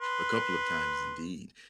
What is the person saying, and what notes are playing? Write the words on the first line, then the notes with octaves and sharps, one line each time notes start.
a couple of times indeed,
B4 C6